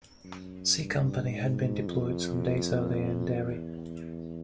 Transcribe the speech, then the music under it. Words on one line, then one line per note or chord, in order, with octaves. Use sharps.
C company had been deployed some days earlier in Derry.
F#2
G2
G#2
F2
E2